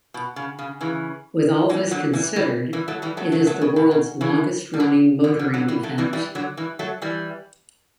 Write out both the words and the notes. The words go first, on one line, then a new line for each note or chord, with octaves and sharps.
With all this considered, it is the world's longest running motoring event.
B2
C#3
C#3
C#3 E3
E3 G3
D3 F#3
E3 G3
E3 G3
E3 G3
F#3 A3
E3 G3
F#3 A3
F#3 A3
F#3 A3
C#3
B2
C#3
C#3 E3
G3
D3 F#3
D3
D3
D3 F#3
E3 G3
F#3 A3
E3 G3
E3 G3
D3 F#3
E3 G3
F#3 A3
E3 G3